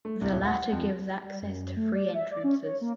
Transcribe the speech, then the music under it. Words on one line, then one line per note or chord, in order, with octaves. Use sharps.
The latter gives access to three entrances.
A3
C2
D#1
F#5
F2
G3
F#2
A3
D5
E5
D5
C#4
C#5
A#3